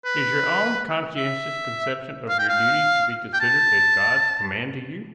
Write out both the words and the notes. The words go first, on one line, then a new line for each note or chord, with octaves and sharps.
Is your own conscientious conception of your duty to be considered as God's command to you?
B4
E5
F5
G5
F5
G5
A5